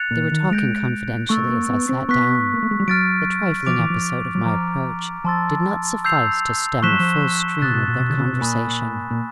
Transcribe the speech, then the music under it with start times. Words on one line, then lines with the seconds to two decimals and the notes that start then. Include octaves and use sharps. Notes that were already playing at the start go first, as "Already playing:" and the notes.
They were talking confidentially as I sat down; the trifling episode of my approach did not suffice to stem the full stream of their conversation.
Already playing: F#6 A6 C#7 F7
0.11 A#2
0.32 D#3
0.50 G#3 G6 A#6 D7 F7
1.29 A3 C#6 E6 A6
1.49 A#3
1.70 B3
1.89 C4
2.09 B3 C#6 F#6 B6
2.54 A#3
2.63 A3
2.71 G#3
2.80 G3
2.88 F#3 F6 A6 D7
3.66 F3 D6 F6 A6 D7 F7
3.79 E3
3.90 F3
4.35 F#3
4.45 F3 A#5 D6 F6
5.24 F3 A5 C6 E6 A6
6.04 E6 G6 C7 F7
6.82 F3 C#6 F#6 B6 E7 G7
6.91 F#3
6.99 F3
7.62 C3 D#6 F#6 A6
7.74 B2
7.88 A#2
8.00 B2
8.10 D3
8.18 C#3
8.26 C3
8.33 B2
8.41 A#2 G#5 B5 D#6
9.11 A#2